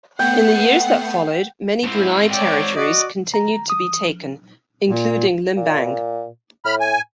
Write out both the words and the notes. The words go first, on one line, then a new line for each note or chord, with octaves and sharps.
In the years that followed, many Brunei territories continued to be taken, including Limbang.
A3 B3 F#5 G5 C7
G#2 C4 E4
C#5 D5 G5
F#4 D5 D#5
A#5
D#6
A#2
A#2
A2 B5 F6
G#5